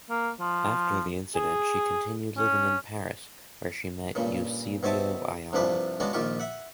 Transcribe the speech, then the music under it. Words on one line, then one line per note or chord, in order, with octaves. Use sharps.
After the incident, she continued living in Paris, where she met Eusebio Ayala.
A#3
F3
G#4
C#4
G2 A#2 C#3
B2 C4 C#5 E5 A5
C2 G2 C3 F3 D4 B4
C#3 G#3 B3 D4 F#4
A#1 D#3 F4 G4 C#6
E5 F#5